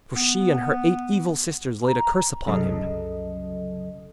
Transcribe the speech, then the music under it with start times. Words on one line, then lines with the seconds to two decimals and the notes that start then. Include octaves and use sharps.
For she and her eight evil sisters laid a curse upon him.
0.16 B3
1.86 A#5
2.47 C2 F#2 C#3 F#3 A4 D#5